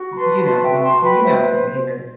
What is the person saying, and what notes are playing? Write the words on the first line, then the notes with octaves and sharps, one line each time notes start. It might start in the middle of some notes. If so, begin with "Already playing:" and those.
You know, when you well, you know it when you hear it.
Already playing: F#4
B5
B4 A5 C6
F#4 A5 C6
E5 G5
F#4
A5 C6
B4 A5
G5 B5
C5 E5 G5